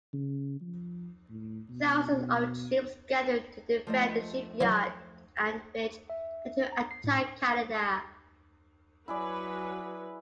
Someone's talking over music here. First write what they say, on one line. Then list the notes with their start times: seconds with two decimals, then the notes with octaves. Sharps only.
Thousands of troops gathered to defend the shipyard and village, and to attack Canada.
0.13 C#3
0.61 F3
1.30 A2
1.69 B2
2.11 B2
3.87 F3 A3 D#5
4.61 E3 F#3
6.10 E5
6.72 A#5
6.91 C7
7.04 A2
9.08 F#3 E4 G#4 B4 D5